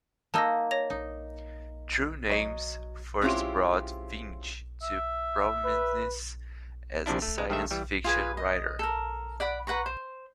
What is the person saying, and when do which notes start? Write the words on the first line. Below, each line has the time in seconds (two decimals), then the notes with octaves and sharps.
"True Names" first brought Vinge to prominence as a science fiction writer.
0.34 A#3 D#4 D#5 A5 E6 A#6
0.71 C#5 A#6 F7
0.90 D#4
2.30 F#3 D#5
3.22 G#3 C4 C#4 E4 F4 G4
4.82 E5
5.64 B4
7.06 A#1 C3 F3 D4 E4
7.22 A3
7.38 C2 G#3
7.50 G2 D#3 A3 E5
7.71 E3 G3
8.04 F4 G#4 B4 G#5
8.37 D#5
8.79 A4 A#4
9.40 D5 F#5 B5 D6
9.67 B4 F#5 A#5 C#6
9.86 C5